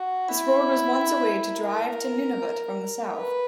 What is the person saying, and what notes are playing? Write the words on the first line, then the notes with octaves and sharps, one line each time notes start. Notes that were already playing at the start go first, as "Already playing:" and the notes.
This road was once a way to drive to Nunavut from the South.
Already playing: F#4
E4
A#4
B4